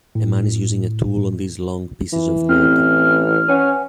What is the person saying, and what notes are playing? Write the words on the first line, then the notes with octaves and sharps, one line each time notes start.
A man is using a tool on these long pieces of wood.
A2
E3
A1 C4 F6
C#4 B4 F#5 G#5